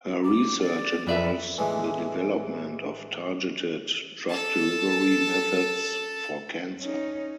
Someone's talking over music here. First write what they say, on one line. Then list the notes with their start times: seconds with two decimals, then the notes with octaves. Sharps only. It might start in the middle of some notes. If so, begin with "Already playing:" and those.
Her research involves the development of targeted drug delivery methods for cancer.
0.24 D6
0.61 D5
1.07 F2 B4 D5 E5
1.58 A1 E3 G#3
4.29 A4 A5
6.79 C#4 D#4